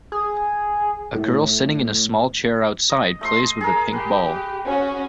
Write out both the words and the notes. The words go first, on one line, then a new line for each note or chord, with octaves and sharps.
A girl sitting in a small chair outside plays with a pink ball.
G#4
A2
D#5
A3 D#5 C6
G#4 A#4
G4 B4
C#4 F#4 C#5